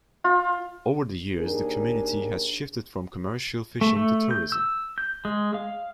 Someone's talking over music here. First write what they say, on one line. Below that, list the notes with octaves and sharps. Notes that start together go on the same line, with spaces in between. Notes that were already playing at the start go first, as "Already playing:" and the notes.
Over the years, the community has shifted from commercial fishing to tourism.
F4
D#2 D4 G#4 A#4
A3
A3
G6
E6
G6
G#3
F5